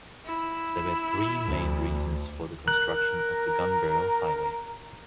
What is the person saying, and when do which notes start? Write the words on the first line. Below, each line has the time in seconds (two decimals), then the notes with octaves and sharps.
There were three main reasons for the construction of the Gunbarrel Highway.
0.25 E4
1.46 D2
2.68 A#4 F#6